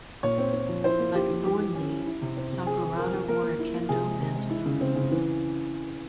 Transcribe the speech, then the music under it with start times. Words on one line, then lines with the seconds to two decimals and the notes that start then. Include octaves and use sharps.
Like Thornley, Sakurada wore a Kendo men to the ring.
0.23 A#2 C#5
0.38 C4
0.53 C4
0.69 F3
0.84 E4 C5
0.99 A#3
1.14 F3 G4
1.30 F3
1.45 E3 G4
1.60 E3
1.75 C#4
1.91 E4
2.06 E4
2.22 C3
2.37 C4
2.52 C3
2.67 F3 G#4
2.83 C4
2.98 F3 A#4
3.13 F3
3.28 A#3 A#4
3.43 A#3
3.59 E4
3.74 A#3
3.89 C3 G#4
4.04 G#3
4.20 C3
4.35 G#3
4.50 E4
4.66 C#3
4.81 C4
4.96 C#3
5.11 E3